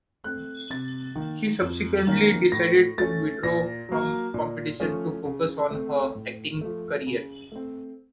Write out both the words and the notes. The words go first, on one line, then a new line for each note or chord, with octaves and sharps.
She subsequently decided to withdraw from competition to focus on her acting career.
A3 C4 F#6
C3 A6
D#3 A#3
F2
D#3 A#3 C#4
A2 A#6
A3 C#4 A6
A#2 A#6
F#3 A#3
A#2
F3 A3 C#4
C#3
A3 C4
A2
F3 A3
C#3
A3 C4